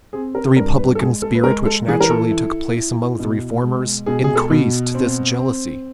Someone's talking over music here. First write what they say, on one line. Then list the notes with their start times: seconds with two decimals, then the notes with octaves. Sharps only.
The republican spirit which naturally took place among the reformers, increased this jealousy.
0.13 C4 G#4
0.35 A#4
0.56 G2 A#4
0.78 B4
0.95 A4
1.00 G#3 G#4
1.22 A4
1.35 B4
1.44 G#3 A#4
1.66 A4
1.88 E3 G#4
2.01 A#4
2.10 A4
2.32 E4
2.76 E4
3.19 B2
3.63 G#3
4.06 B2 G#4
4.24 G#4
4.35 A4
4.50 B2
4.95 C4
5.39 C4